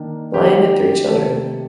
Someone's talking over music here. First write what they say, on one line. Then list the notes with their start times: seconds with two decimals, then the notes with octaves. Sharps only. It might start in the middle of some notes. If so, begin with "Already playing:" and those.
Lion had three children.
Already playing: D#3 A#3 D4
0.34 D#3 A#3 D#4 G4
1.07 C3 D#3 A3 D#4 A4